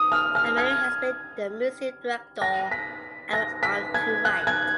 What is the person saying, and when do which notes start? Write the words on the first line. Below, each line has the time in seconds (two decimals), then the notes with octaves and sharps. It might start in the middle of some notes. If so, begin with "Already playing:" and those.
Ameri has been the museum director and went on to write.
Already playing: D#6
0.12 F6
0.35 F6
0.58 G#6
2.42 A#6
2.71 B6
3.33 A#6
3.63 B6
3.94 G#6
4.25 F#6
4.47 G#6